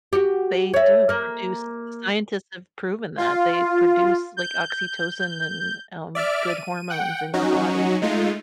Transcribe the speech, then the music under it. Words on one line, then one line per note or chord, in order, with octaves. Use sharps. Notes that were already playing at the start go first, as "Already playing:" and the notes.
They do produce scientists have proven that they produce, like, oxytocin and, um, good hormones in your body.
F#4 G4
C#5 E5
A#3 A#4
F4
G6
D5 E5 F6 D7
D#7
F#5 G5
F#3 C#4 D#4 F#4
G#3 A3 D#4 F4